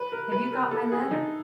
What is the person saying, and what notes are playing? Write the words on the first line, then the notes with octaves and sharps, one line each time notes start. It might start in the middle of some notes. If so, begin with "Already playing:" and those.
Have you got my letter?
Already playing: B4
A#4
B4
A#4
A4
G#4
D#4